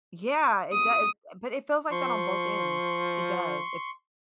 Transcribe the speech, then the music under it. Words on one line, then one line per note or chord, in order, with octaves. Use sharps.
Yeah, it do but it feels like that on both ends; it does if
D#6
F3 C6 C#6